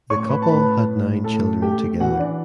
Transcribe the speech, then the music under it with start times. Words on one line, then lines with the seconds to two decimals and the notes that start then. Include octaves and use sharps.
The couple had nine children together.
0.10 A2 C#5 C#6
0.29 B4 B5
0.42 A5
0.48 A2 B4 B5
0.87 A2
1.24 A2 A4 A5
1.62 A3 G4 G5
2.00 E3 F#4 F#5
2.19 D4 D5